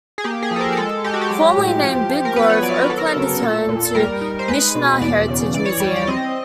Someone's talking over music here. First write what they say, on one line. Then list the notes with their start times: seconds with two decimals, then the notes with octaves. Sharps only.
Formerly named Big Grove, Oakland is home to Nishna Heritage Museum.
0.18 G#4
0.24 A#3 G4
0.43 G#4
0.51 F3 A4
0.60 A#4
0.73 A#4
0.77 G#3 A4
1.04 G#3 G4
1.14 F#4
1.21 G4
1.31 F#3
1.57 A2
1.84 F3
2.10 F3
2.25 A#4
2.36 B3 B4
2.50 C#5
2.63 F#3 D5
2.76 A#4
2.90 F#3 A4
2.98 A#4
3.07 A4
3.16 C#3
3.42 A#2 A4
3.69 A#2
3.85 A4
3.95 G3 A#4
4.21 D#4
4.39 C5
4.48 G#3 B4
4.75 B2
5.01 E2 D5
5.28 C#3
5.54 E3 D5
5.66 C#5
5.78 G3 D5
5.96 D5
6.07 C4 D#5